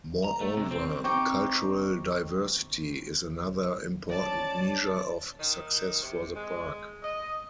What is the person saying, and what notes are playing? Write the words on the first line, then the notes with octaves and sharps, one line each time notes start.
Moreover, cultural diversity is another important measure of success for the park.
A#5
A3
C3
C4
C4 D#4 G4 G5 C#6
F3 C#4 C#5 D5 A5
D#3
C3
G#3
D#5